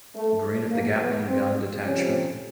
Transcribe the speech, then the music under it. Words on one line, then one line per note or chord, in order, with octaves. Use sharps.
Green of the Gatling Gun Detachment.
A3
E2 B2 A#3
B3
C4
F2 C3 F3 C#4